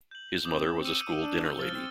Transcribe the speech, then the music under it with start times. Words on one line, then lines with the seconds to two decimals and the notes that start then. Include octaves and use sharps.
His mother was a school dinner lady.
0.11 G6 F#7
0.45 C4 D6 D#6 G6
0.85 E6 C#7 D#7
1.22 D4
1.57 F3 F6 A6 G7
1.73 C4